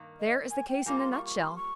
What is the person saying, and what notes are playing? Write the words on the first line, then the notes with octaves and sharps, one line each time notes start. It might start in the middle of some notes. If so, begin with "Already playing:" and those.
There is the case in a nutshell.
Already playing: G2 D#3 A#3
D#5
G#5
G5
G3 A#3 F4 G#5
C6
C#6
C#6
C6
C#6